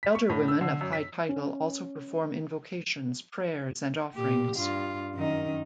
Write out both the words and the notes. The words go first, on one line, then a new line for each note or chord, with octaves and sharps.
Elder women of high title also perform invocations, prayers, and offerings.
B6
C#6
A2
E6
D3
F#2
B6
C#4
A#2 G4
G2 F4
F#2 D#3 D#4